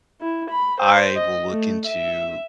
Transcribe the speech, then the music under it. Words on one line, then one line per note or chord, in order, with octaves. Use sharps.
I will look into
E4
B5
C5
D#5
A3
E5